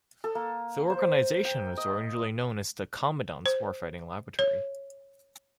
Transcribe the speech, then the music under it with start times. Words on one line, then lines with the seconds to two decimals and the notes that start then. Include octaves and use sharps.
The organization was originally known as the Commandant's Warfighting Laboratory.
0.24 A4
0.35 A#3
0.90 C5
1.45 G5
1.77 D#5
3.46 C5
4.39 C#5